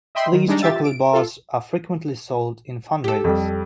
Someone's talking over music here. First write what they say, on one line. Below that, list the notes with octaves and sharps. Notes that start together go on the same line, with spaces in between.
These chocolate bars are frequently sold in fundraisers.
D#5 E5 G5 B5 C6
D#3
G3 G#3 D4 D#4
F4 G4 E5 A6
D7
F4 A4
G4 A4
F2 G3